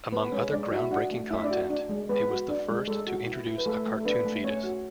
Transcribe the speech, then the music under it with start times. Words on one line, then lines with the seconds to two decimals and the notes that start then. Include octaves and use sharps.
Among other groundbreaking content, it was the first to introduce a cartoon fetus.
0.12 B3 B4
0.32 G#3 C#4 C#5
0.52 G#3 D4 D5
0.71 E4 F#4 E5
0.91 D4 F#4 F#5
1.11 A3
1.30 A3 E4 E5
1.43 D4 D5
1.51 F#4
1.70 D4
1.89 G#3
2.09 G#3 B3 B4
2.29 F#4
2.48 D4
2.68 G#3
2.87 G#3 A4
3.07 F#4
3.26 E4
3.46 E4
3.58 B4
3.66 A3 A4
3.86 A3
4.00 A4
4.05 B3 D4 B4
4.25 A3
4.44 A3 C#4 C#5
4.64 F#4